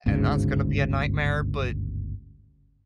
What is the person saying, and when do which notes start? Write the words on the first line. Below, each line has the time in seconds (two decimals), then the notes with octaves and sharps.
and that's gonna be a nightmare," but
0.06 G1 D2 G#2 C#3